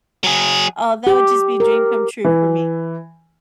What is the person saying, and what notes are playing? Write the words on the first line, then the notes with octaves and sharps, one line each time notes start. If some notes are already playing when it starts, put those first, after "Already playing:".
oh, that would just be a dream come true for me.
F#3 G#4
G4
A#4
E3